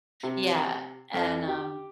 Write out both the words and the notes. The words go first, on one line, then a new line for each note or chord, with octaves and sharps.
yeah, and, um
C3
F2
G4